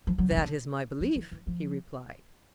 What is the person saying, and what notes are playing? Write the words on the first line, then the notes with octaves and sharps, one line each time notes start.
That is my belief, he replied.
F3
F#3
C#3
D#3
D3
F3
E3
E3
F3